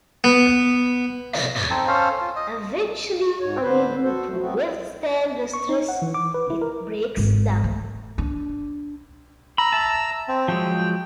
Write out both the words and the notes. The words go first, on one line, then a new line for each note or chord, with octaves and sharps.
Eventually, unable to withstand the stress, it breaks down.
B3
C4 D#4 A4
C#4 A4 C5 F5
F4
D#5
G#2 C#5
D3 B4 C5
F#4 A4 C5
D2 F3 A3
A3 B3 C4 F#4
C#6
D#4
F#5
E3
D6
B4
E4
A#4
G#1
A3
D4
A#5 B5 E6
E5 A5
C4
F3 F#3 G#3 G5